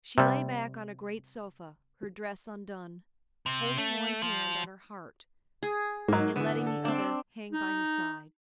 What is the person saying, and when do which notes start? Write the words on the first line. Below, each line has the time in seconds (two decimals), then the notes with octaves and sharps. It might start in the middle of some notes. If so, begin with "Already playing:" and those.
She lay back on a great sofa, her dress undone, holding one hand on her heart, and letting the other hang by her side.
0.18 C3 G3
3.46 C3
3.78 A3
4.22 F3
5.63 G#4
6.08 G#2 F#3 A#3 D#4
6.36 D3 E3 B3
6.67 A4
6.85 C4 D4
7.52 D#4